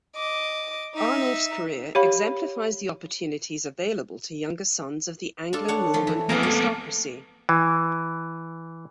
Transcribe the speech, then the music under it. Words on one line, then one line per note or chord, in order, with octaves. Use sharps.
Arnulf's career exemplifies the opportunities available to younger sons of the Anglo-Norman aristocracy.
D#5 D6
D#4 E5
G4 C#5 F5 B5
D4 F4 A4
D4 C#5 F#5
F3 A3
E3
F2 A#3 B3 G#4 A#5
A3
E3